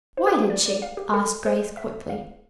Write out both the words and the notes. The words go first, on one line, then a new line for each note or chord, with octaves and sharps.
"Why did she?" asked Grace quickly.
C5
B4
C5
D5
D5
F5
G4
A4
C5
E5
F5